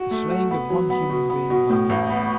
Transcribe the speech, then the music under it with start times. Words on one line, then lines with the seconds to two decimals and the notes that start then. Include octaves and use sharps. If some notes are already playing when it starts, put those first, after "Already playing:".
The slaying of one human being by another.
Already playing: F#4
0.11 A3
0.31 F#4
0.51 B3
0.70 F#3
0.90 B3
1.10 B2
1.30 B3
1.50 B2
1.70 A2
1.89 A1
2.09 B3